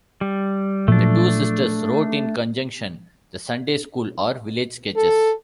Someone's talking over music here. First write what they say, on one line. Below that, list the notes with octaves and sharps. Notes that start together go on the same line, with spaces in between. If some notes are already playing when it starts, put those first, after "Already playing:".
The two sisters wrote in conjunction "The Sunday-School, or Village Sketches".
G3
A#2 F3 F#3 A3 D4
A4